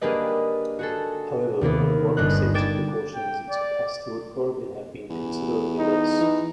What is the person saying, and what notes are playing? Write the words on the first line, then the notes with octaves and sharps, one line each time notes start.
However, with modern safety precautions its capacity would probably have been considerably less.
A#3 D4 G4 G#4 B4 D#5
F#4 G#4 A4
D#2 C3 A#3 B3
G1 D4 D#4 F#6
G5 D6 G#6 A6 D7 E7
G5
D5
E2
D#4
E3